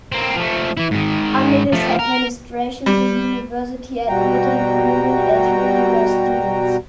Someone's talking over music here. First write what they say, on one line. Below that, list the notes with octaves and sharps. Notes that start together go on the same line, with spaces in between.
Under his administration, the university admitted women as regular students.
A#3 C4
F3 A3
E3 E4
G#2 D#3
F3 A3
A#4
G3
B2 G3 F#4 G5 A#5